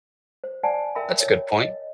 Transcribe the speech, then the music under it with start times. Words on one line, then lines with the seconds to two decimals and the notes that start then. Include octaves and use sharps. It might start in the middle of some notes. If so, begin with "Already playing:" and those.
That's a good point.
0.44 C5
0.63 C5 D5 F#5 G#5 A5
0.95 A#4 E5 G5 B5
1.20 C#5
1.61 D#5